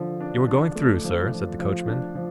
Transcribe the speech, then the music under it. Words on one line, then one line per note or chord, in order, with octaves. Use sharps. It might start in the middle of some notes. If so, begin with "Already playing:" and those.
'You are going through, sir?' said the coachman.
Already playing: D3 F3
D4
D4
A3
F3
F3
F3
D4
F3